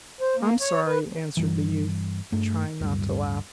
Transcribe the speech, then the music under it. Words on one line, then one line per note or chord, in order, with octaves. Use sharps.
"I'm sorry," answered the youth, trying not to laugh.
C5
A#3
C#5
B4
G2 E3
G2 A3
D1 G2